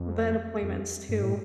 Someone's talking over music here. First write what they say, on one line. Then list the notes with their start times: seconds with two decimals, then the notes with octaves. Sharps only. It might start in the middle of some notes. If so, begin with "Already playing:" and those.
vet appointments to
Already playing: F2
0.62 F2
1.09 G2
1.22 A2